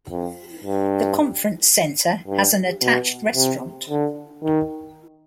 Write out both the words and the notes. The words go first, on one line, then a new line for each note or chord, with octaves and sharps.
The conference center has an attached restaurant.
F2
G2
G2
B2
C3
D3
D#3